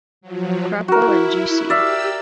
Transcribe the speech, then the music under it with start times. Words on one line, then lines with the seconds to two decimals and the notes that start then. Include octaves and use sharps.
Crapo and G.-C.
0.21 F3 F#3
0.88 E4 F#4 A#4
1.70 G4 D5 E5 F5 E6